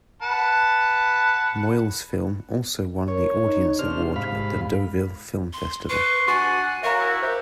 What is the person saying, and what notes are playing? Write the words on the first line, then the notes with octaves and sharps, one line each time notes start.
Moyle's film also won the Audience Award at the Deauville Film Festival.
B4 F#5 A5
A#4 C#5
D#4
C3 D4 C5 F6
G#2 F5 B5
C6
B4 C6 C#6
D4 F#4 F#5 G#5 C#6 D6
F#4 A#4 C#5 E5 F5 A#5
E4
G4 C5 E5